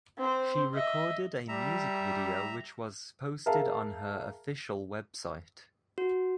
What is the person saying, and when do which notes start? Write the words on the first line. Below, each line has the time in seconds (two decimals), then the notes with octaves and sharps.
She recorded a music video which was posted on her official website.
0.18 C4 C5
0.73 D#5 E5
1.48 G3 E5 A#5
3.46 G#4 A#4 E5 F5 A5
5.98 F#4